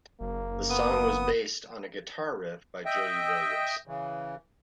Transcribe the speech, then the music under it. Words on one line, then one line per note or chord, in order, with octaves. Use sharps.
The song was based on a guitar riff by Jody Williams.
F#1 A#3
B3 D#6
D#5 E5 G5
C#3 E3